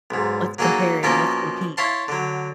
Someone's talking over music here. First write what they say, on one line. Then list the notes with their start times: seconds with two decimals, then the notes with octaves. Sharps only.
Let's compare and let's compete.
0.11 B1 G#2
0.58 F#3 A#3 D#4 G#4 A4 F#5
1.03 B2 F3 A#3 C#4 A4 A#4
1.77 E4 C#5 F5 A5 C6
2.08 D3 F#3